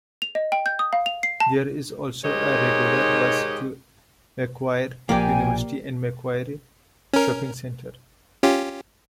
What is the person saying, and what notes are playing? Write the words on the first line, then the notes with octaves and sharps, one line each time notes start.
There is also a regular bus to Macquarie University and Macquarie shopping centre.
F7
D#5
G5
G6
D#6
F5
F7
C7
A5
G#2 D#3 G4 C#5 D#5
A#1 A#2 F3 A#3 G4 D5 G5 G#5
C#4 A#4
C#4 F4 G4